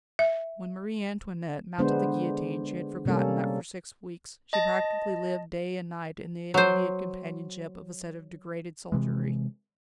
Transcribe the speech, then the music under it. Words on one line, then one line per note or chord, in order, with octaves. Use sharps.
When Marie Antoinette mounted the guillotine she had forgotten that for six weeks she practically lived day and night in the immediate companionship of a set of degraded soldiery.
E5
D3 G#3 B3 D4 C5
C3 G3 A#3 C#4 A4
D#5 A5 A#6
F#3 C5
C3 E3 G#3